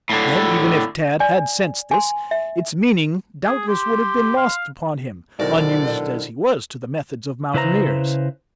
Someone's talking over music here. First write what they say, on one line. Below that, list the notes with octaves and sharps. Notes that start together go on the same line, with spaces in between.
Yet, even if Tad had sensed this, its meaning doubtless would have been lost upon him, unused as he was to the methods of mountaineers.
A2 D3
D5 G#5
G#5 C6
E5
G#4
G4 C6
F5
B1 D3 D#3 D#4 E4 C5 D5
C#3 E4 B4 C5 D5 A#5